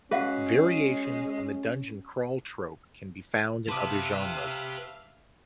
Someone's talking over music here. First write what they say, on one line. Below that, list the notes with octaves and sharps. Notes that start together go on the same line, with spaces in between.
Variations on the dungeon crawl trope can be found in other genres.
G#3 C#4 F#4 G#4 B4 F5 F#5
G4 B4 C5 E5 F5 A5 D6 D#6